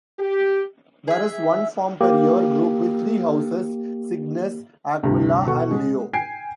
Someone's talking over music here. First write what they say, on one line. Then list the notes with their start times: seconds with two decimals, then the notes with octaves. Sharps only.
There is one form per year group with three houses: Cygnus, Aquilla and Leo.
0.19 G4
1.08 G#4 E5
2.01 A#3 G4
5.03 D2 G2 C3
5.46 B2 A4 F#5 C#6
5.71 G#3
6.13 G5 G#5 C7 D7